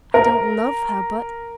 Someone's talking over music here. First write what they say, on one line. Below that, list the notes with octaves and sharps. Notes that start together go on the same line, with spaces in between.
I don't love her, but...
A#4